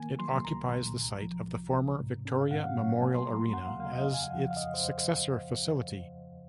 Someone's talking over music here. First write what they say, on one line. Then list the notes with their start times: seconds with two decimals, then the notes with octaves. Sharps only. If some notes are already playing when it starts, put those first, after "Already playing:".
It occupies the site of the former Victoria Memorial Arena as its successor facility.
Already playing: D#3 A#3 G#5
0.19 F#3 C6
0.45 C2 A#5
0.70 A#2
0.97 C2
1.22 F3
1.48 C2
1.74 C3
2.00 G#2
2.25 C#4
2.41 F5
2.51 G#2 F#5
2.64 F5
2.77 F#3 C#5
2.89 F#5
3.02 A#3 G#5
3.15 C6
3.28 F#3 A#5
3.41 C6
3.54 D#2 F#5
3.67 F5
3.80 C#3 F5
3.93 D#5
4.05 F2 F5
4.14 G#5
4.23 F#5
4.32 F3
4.40 F5
4.51 F5
4.57 F2 D#5
4.74 C5